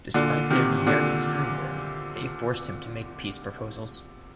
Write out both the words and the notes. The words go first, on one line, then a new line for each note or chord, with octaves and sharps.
Despite their numerical superiority they forced him to make peace proposals.
A#2 D3
C3 D#3
A#2 D3